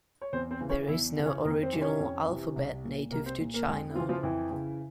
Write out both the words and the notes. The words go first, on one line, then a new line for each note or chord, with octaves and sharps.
There is no original alphabet native to China.
C#5
E2 C4 C5
C4 C5
C#3 E3
C#4 C#5
E2 E4 E5
C#3 E3
C#4 C#5
F2 A#3 A#4
C4 C5
C3 E3
C#4 C#5
F2
C3 E3
C2
A#2
C2 A#3 A#4
C4 C5
A#2
A#3 A#4
F2 G#3 G#4
E4
C#3 E3 F3 F4
F3 F4
F2 E3 E4
C#3 E3